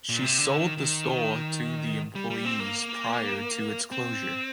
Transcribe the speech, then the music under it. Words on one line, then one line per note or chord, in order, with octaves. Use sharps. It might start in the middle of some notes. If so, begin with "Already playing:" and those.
She sold the store to the employees prior to its closure.
A#2
C3
D3
D#3
D#3
G3
G3
C4
A#3
C4